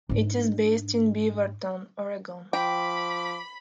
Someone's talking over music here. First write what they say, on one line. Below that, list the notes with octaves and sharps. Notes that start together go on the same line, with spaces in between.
It is based in Beaverton, Oregon.
G#2 D4
F3 G5 B5 D6